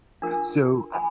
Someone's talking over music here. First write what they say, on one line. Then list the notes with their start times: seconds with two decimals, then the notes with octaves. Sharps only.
so I
0.22 D4 F4 A#4
0.94 G#5 B5